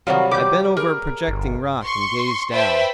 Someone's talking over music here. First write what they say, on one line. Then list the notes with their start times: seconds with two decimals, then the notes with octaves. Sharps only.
I bent over a projecting rock and gazed down.
0.07 C3 D#3 F#3 G3 F4 F#4
0.31 G4 B4 D5 D6 G6
0.77 G#4 A#4
1.28 G1
1.83 C6 C#6
2.52 B4 C5 E5 G5 A5 B5